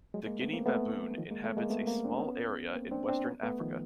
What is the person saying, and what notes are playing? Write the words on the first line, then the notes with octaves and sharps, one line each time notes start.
The Guinea baboon inhabits a small area in western Africa.
F#3 G#3
G#3 A#3
A3 B3
A#3 C4
A3 B3
D#3 F3
G#3 A#3
A3 B3
G#3 A#3
A3 B3
A#3 C4
C4 D4
C4
B3 C#4
A#3 C4
C4 D4
C4 D4
B3 C#4
A3 B3
D#3 F3